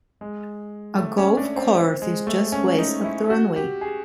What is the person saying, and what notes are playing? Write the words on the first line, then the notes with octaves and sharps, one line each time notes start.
A golf course is just west of the runway.
G#3
A3
C#4
D4
C4
C4
G#3
A3
C#4
D#4
E4
F#4
G4
G#4